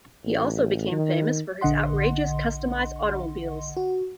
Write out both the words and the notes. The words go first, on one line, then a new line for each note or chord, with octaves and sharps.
He also became famous for his outrageous customized automobiles.
A1
D#3
A#1 D3 D#5 F#5 C6
F#4